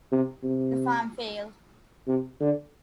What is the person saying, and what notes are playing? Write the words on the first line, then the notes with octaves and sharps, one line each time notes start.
The farm failed.
C3
C3
C3
D3